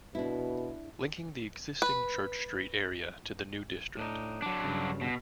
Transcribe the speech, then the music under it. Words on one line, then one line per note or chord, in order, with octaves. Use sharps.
Linking the existing Church Street area to the new district.
B2 D4 E4
B4
A2 D4 D#4
F#3 D4
G2 A#2 C#3
B2